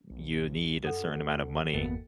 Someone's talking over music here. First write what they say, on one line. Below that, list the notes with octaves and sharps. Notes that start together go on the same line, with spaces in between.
you need a certain amount of money.
B1
F#2 A4 F#5
D2
G1 E2 A#3 B3